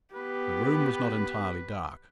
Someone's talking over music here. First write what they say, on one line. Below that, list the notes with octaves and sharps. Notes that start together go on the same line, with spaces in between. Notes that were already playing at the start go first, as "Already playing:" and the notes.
The room was not entirely dark.
B3 G4 B4